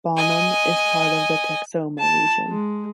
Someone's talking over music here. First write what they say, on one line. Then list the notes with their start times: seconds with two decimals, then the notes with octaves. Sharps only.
Bonham is part of the Texoma region.
0.17 D#5 G#5
2.00 A5
2.48 G#3